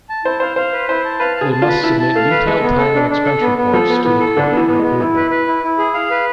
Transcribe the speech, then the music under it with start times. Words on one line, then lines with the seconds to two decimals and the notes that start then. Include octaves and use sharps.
They must submit detailed time and expense reports to the court for approval.
0.09 A5
0.25 E4 C5
0.40 C5 F5
0.56 C5 F5
0.73 B4
0.89 E4 C5
1.04 A5
1.20 B4 F5
1.36 G#4 A5
1.52 A5
1.62 F4
1.68 B4
1.83 E4 A5
2.00 A5
2.15 A3 F5
2.30 B4
2.46 G#3 A4
2.62 B3
2.78 A4
2.94 D4
3.10 D4
3.25 A4
3.41 B3
3.58 B3
3.73 F3 A4
3.89 B3
4.04 E3 B3
4.20 A4
4.36 D3 D4
4.52 B3
4.57 E3
4.67 B3
4.79 G#3 B3
5.00 E3 E4
5.16 B4
5.31 B4
5.48 E4
5.63 E4
5.78 G#4
5.94 F5
6.10 B4